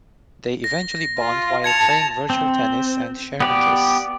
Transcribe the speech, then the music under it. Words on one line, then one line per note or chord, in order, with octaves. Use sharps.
They eventually bond while playing virtual tennis and share a kiss.
A#6
F4
A5 G#6 C#7 F7
C4
B3 G4 D5